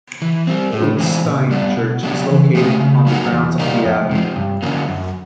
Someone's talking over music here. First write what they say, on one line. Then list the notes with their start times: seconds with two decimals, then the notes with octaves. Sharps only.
Utstein Church is located on the grounds of the abbey.
0.22 E3
0.47 G3 C4
0.73 A2
0.99 E3 G#3 C4
1.25 A#2
1.51 G3 B3 D4
1.77 B2
2.03 F#3 B3 D4 G4
2.29 E3
2.55 A3 C#4 F4 G#4
2.81 C#3
3.07 F#3 A#3 D#4 F#4
3.32 E2
3.59 B2 G3 A#3 D#4
3.84 F2
4.11 C3 F3
4.36 G2
4.62 D3 F#3 A#3 C#4
4.89 F#2